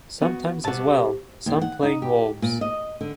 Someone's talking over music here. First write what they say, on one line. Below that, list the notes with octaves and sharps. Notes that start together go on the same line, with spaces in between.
Sometimes as well, some plain wolves...
B3 F#4
C3 F#4 A5
D#2
F#5
D#4
G4
A#2
D#5
D3